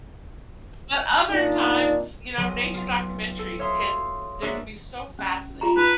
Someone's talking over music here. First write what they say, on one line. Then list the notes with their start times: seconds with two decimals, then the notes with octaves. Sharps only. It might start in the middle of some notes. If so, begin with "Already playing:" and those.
but other times, you know, nature documentaries can they can be so fascinating
1.27 A#2 D4 D#4
2.37 B1 F#3 D#7
2.74 F4
3.39 A4
3.59 C#5 E5 F5 C6 D#6 C7
4.42 G#3 A#3 D4 F#4 C#5 E5
5.19 C#4
5.61 F4 A#5
5.77 D#4 B4 B5